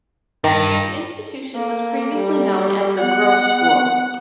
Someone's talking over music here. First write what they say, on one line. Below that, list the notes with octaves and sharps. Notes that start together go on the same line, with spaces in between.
The institution was previously known as the Grove School.
G2 D#3
A#3 A4
G3
B3 F#5